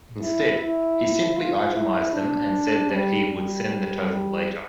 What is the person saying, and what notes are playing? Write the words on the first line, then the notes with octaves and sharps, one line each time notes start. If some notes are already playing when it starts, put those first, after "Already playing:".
Instead, he simply itemised them, and said that he would send the total later.
E4
E4
F4
E4
D4
G3
G3
G3